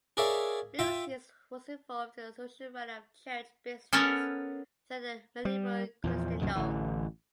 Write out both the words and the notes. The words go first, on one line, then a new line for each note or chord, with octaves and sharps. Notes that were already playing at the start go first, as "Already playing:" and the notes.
Lucius was involved in the usual running of church business throughout medieval Christendom.
G#4 A#4 C#5 D5 E5 F5
F4 E5 G5
B3 C#4 A4 A#4 C#5 F#5
G3
E2 A#2 F3
C2 F#2 A#2 D#3
A1 D3 E3